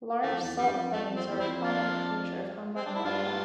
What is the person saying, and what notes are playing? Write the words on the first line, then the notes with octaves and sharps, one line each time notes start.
Large salt plains are a prominent feature of Hambantota.
E2 A3
F2
E2
F2 G3
G2
F2
F2 A3
F2
C4
E2
C4 E4
F2
D4 F4
C4
D4
E4
G2 D4 F4